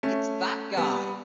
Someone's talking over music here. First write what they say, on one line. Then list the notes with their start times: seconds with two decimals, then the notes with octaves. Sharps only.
It's That Guy!
0.03 A3 C#4
0.77 G3 B3